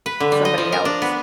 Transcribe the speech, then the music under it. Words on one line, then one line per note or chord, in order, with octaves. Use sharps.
somebody else
B4
D3
G3
D#5
F3
A#4
D4
B3